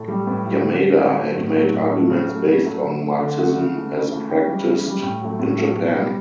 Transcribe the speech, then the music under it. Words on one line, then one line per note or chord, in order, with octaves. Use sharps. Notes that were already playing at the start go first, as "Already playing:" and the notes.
Yamada had made arguments based on Marxism as practiced in Japan.
Already playing: A2 A4
E3 G3 G4
A2 B4
E3 G3
D3
F#3 A3
D3 C#5
B4
F#3 A3 C#5
A2
F#3 A3
A2
F#3 A3
C#3 C#5
F#3 A3
C#3
F#3 A3
D3
A3
D3 F#5
A3 F#5
C#3
E3 A3
C#3
E3 A3
C#3 G5
E3 G3
C#3
E3 G3
A2 G5
F#3 A3
A2
F#3 A3
B2
G3